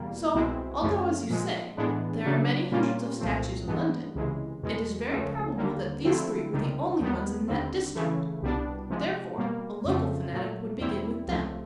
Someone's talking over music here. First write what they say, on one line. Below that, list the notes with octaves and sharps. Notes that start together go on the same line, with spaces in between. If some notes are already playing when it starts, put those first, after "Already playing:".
So, although, as you say, there are many hundreds of statues in London, it is very probable that these three were the only ones in that district. Therefore, a local fanatic would begin with them.
Already playing: E2 B2 G3 A#3
C2 B2 G#3 C4 E4
F#2 C#3 F3 A3
A#2 F3 G#3
A2 E3 G#3 B3 D4
C#3 F#3 A#3 D4
A#2 G3 A#3 C#4 F4
C2 A#2 F3 A3 C4
G2 E3 G#3 B3
C#2 C3 E3 G#3
E2 B2 G#3
C#2 C#3 F3 A3 C#4
D#2 D3 G3 A#3
D3 F3 A3 C4 E4
C#2 C3 D#3 G3
D#2 D#3 G3 B3
D#2 D3 G3 C4
C#3 E3 A3
C2 B2 G3 B3 D4
C3 F3 G#3
B2 G3 A#3
F2 C#3 F3 A3 C4
A#2 F#3 A3
E2 B2 G3 C4 E4
C#2 C3 F3 A3